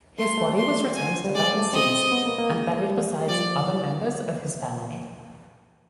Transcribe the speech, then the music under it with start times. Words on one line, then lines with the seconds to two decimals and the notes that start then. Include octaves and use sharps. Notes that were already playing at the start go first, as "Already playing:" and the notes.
His body was returned to Valenciennes and buried beside other members of his family.
0.19 A3 C6
0.38 A3
0.57 C6
0.96 G#5
1.25 G3
1.35 G#3 D5
1.54 A3
1.73 C4 D#5
2.12 B3
2.26 A#3
2.38 A#3
2.51 G#3
2.90 G3
3.28 F3 D5
3.67 E3